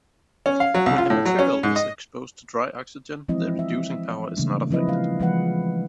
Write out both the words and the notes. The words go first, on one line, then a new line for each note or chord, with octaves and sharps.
When this material is exposed to dry oxygen the reducing power is not affected.
C#4
F5
F#3
C2
F4
A2
F#3
C#4
G#2
D#5
E3 F3 G#3 C4 E4 D#5
E5
C#3 E3 G3 A3 A#3 D4
F3 F#3 C4 E4 B4 D#5
G#3 F5
E3 F3 G#3 B4 F#5